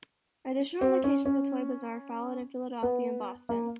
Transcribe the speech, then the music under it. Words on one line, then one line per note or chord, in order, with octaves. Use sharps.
Additional locations of "Toy Bazaar" followed in Philadelphia and Boston.
C4
C#4
C#4
B3
A#3